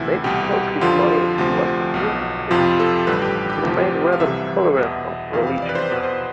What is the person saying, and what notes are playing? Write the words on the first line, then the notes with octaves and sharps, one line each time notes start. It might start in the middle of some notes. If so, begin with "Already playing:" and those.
Maybe because his mother was a Hindu princess, he remained rather tolerant of religion.
Already playing: D2 C3 E3 E4
C2 B2 G4
F2 D3 F3 F4
D2 C3 F3
B1 B2
F2 C3 F3 F4
A4
A1 G2 D3 B4
G4
G4
D2 C3 F3
F5
C2 C3 E3 E5
E2 B2
F2 C3 E3 F5
F5
D5
B4
C5
E2 B2 B4
C5